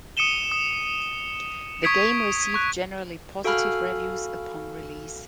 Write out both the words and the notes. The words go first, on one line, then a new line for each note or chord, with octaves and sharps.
The game received generally positive reviews upon release.
D#6 C#7 D#7 E7 G7
D#6
C#6 D#6 G#6 B6 D7
C#6 F#6
F#4 A4 F5 G#5 B5 F6